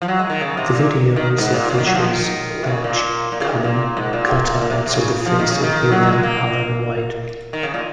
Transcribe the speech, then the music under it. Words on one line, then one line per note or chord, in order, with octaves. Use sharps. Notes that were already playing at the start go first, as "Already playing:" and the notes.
The video also features large cardboard cutouts of the face of William Allen White.
F3
F#3
G#3
D#3
C#3
C3
A#2
D#3
G#2
A#2
C#3
D#3
F#3
F3
D#3
C3
C#3
A#2
A#2
C#3
D#3
C3
A#2
G#2
A#2
A#2
C3
A#2
C3
C#3
F3
D#3
C#3
D#3
F#3
G#3
A#3
D#3
C#3
A#2